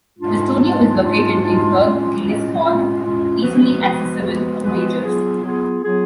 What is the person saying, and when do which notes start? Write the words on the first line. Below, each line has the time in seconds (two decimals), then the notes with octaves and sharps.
The studio is located in Hugh Gillis Hall, easily accessible to majors.
0.18 G#2 G#3 D4 F4
0.59 G#2 G#3 D4 F4
0.98 G#2 G#3 D4 F4
1.39 G#2 G#3 D4 F4
1.79 A2 G#3 C#4 F4
2.20 A2 G#3 C#4 F4
2.59 A2 G#3 C#4 F4
3.00 A2 G#3 C#4 F4
3.41 F3 G#3 B3 F#4 B4
3.81 F3 G#3 B3 F#4 B4
4.21 F3 G#3 B3 F#4 B4
4.61 F3 G#3 B3 F#4 B4
5.02 F#3 B3 F4 G#4
5.42 F#3 B3 F4 G#4
5.82 F#3 B3 F4 G#4